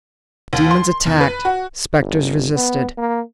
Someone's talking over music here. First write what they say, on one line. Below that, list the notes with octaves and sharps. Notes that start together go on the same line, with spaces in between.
Demons attacked, spectres resisted.
D#2
C6
E2
B4
F#4
G1
B3
A#3